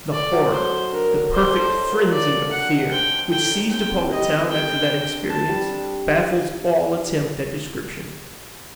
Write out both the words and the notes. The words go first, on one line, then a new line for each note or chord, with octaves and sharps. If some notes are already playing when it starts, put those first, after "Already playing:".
The horror, the perfect frenzy of fear, which seized upon the town after that experience, baffles all attempt at description.
A3 D5
F#3
A4 C5
D#5
D4 A#4
D4
C5 D#5
A4
D#5
A#3
D4 D5
A4
D4 F#5
D#5
C5 G5
D4
A4 G5
D#4
C4 G5
C4
G3 D#5
G3
A4 G5
D#5
D4
D4
C5 A5
G3
D4